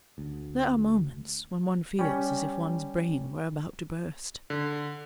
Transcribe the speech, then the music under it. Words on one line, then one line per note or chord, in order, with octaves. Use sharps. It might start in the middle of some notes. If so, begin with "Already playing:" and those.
There are moments when one feels as if one's brain were about to burst.
D2
G3 C#4
D3